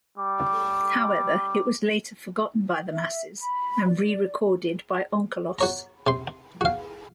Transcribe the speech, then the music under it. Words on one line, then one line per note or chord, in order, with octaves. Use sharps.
However, it was later forgotten by the masses, and rerecorded by Onkelos.
G3 D6
E5
B5
D5
F#4 C#5 A#5
C3 C6
F#4 F5